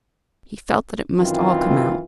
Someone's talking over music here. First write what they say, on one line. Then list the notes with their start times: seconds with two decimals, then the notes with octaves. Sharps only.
He felt that it must all come out.
1.19 F#2 D#3 E3 C4 F4